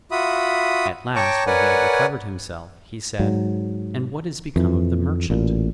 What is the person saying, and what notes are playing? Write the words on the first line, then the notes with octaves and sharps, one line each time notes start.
At last, when he had recovered himself, he said, "And what is become of the merchant?"
F4 F#4 E5 B5 D#6
C#5 G5 A5 A#5 C#6 D6
A#4 B4 C#5 D5 F#5 G#5
G#2 F#3
F2 E3
A1 A#2